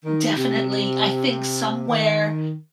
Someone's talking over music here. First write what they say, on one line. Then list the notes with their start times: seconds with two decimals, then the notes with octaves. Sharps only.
Definitely, I think somewhere
0.05 D#3
0.36 C3
1.27 C3
1.87 D#3